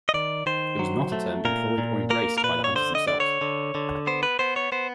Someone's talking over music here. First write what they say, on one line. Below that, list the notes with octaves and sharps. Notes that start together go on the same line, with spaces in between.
It was not a term employed or embraced by the hunters themselves.
D#5
D#3 D5
D#3 C5
F#3
A3
A#2 A#4
A#2
A#3 A#4
A#4
A#2 B4
C#5
D3 C5
D#5
D3 D5
C#5
D3
D3
B3 C5
B4
B3 C5
C#5
B3 C5